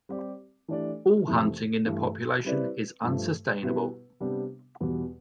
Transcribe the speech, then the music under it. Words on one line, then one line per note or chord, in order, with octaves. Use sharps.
All hunting in the population is unsustainable.
G3 C4 G4 D5
E3 A3 D4 G4 D5
F2 C3 E3 A3
G2 E3 A3
G3 C4 E4 B4 D5
G2 F3 A3
B2 G3 B3 E4 B4
C3 G3 B3 D4 G4
E2 B2 G3 B3